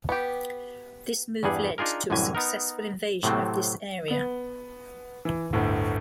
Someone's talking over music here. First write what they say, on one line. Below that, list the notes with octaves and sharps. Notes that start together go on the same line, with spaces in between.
This move led to a successful invasion of this area.
B3 G4
E2 G2 G3 G#4 F#5
D4 D#4 F4 G#4 A#4
C2 F#2 A2 D3 E3 G#5
B3 D#4 A#4
A2 C3 F#3 A3 C4
B3 G7
E3
G1 D2 A2